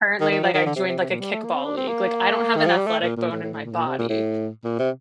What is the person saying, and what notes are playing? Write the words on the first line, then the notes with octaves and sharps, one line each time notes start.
currently, like, I joined, like, a kickball league, like, I don't have an athletic bone in my body,
D#3
D#3
F3
D#3
D3
C3
C3
C3
A#2
G3
A3
A#3
C4
D4
C4
A#3
D#3
F3
G3
A3
A#2
A#2
A2
A2
A2
A#2
A2
A#2
C3
A#2
A2
A#2
C3